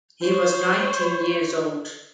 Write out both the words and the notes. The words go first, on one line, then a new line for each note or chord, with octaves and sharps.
He was nineteen years old.
C5 C#5